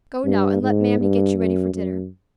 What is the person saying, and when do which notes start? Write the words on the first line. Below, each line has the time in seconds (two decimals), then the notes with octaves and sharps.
"Go now and let mammy get you ready for dinner."
0.25 G2
0.62 G#2
1.00 G2
1.37 F#2
1.74 F#2